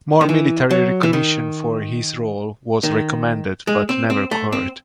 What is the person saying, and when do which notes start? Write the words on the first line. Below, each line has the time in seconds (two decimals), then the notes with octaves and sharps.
More military recognition for his role was recommended but never occurred.
0.21 D#3
0.29 E3
0.71 F#3
1.03 E3
1.13 D#3
2.83 D#3
3.67 G#3
3.89 C4
4.10 C4
4.31 A3
4.52 C4